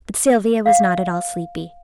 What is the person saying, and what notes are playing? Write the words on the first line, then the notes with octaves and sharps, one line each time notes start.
But Sylvia was not at all sleepy.
F5